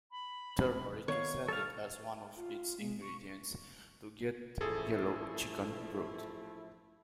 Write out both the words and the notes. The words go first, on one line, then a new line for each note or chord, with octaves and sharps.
Turmeric is added as one of its ingredients to get yellow chicken broth.
B5
D#3 B3 C#5 F5 C#6
G3 A4 F5
F4
G#3
C#6
A1 F3 A3 E4 G#4 A4